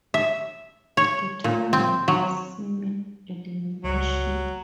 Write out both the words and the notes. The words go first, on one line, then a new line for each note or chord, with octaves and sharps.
The tournament was single-elimination.
E5
C#5
A#2
C4
F#3
G1 C#2 F#3